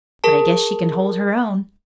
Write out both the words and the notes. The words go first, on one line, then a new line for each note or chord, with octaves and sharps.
But I guess she can hold her own.
G#4 A#4 A5